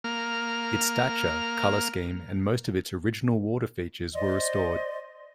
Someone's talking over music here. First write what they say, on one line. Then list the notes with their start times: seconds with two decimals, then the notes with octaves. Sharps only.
Its stature, colour scheme and most of its original water features were restored.
0.04 A#3 F6
4.15 C5 D5 D#5 C6